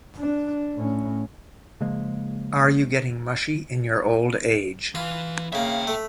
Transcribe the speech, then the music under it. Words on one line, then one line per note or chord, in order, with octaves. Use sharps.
Are you getting mushy in your old age?
D4
A2 C#4
C#3 F3 G#3 A#3
E3 F4
C#3 A#3 E5 G5
A3